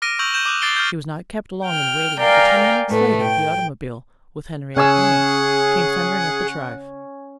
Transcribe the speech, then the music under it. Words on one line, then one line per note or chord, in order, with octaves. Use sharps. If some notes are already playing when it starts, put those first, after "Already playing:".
She was not kept long in waiting, for ten minutes later the automobile, with Henriette in it, came thundering up the drive.
D6 F6 A#6 D7 D#7
C#6 E6 G6 F7 F#7
G6 E7 F#7
D6 D#6 F#6
D6 A6 C7 D7 G7
F6 G6
G5 F6
A#4 D5 F5 G5 G#5 A#5
A2 A3 B4
G5
C#3 C#4 G#4 F#5 G#5 E6